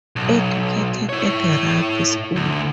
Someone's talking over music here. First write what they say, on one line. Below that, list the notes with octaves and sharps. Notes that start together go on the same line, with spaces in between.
Educated at Rugby School.
B1
E4 C#5
D2